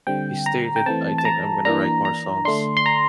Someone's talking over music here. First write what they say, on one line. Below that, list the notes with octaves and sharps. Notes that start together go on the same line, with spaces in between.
He stated, "I think I'm gonna write more songs".
D3 G3 C4 G5
A#5
G5
E3 A3 C4 A5
A5
A#5
E3 A#3 D4 A#5
A#5
D3 A3 D4 C6
C6
A#5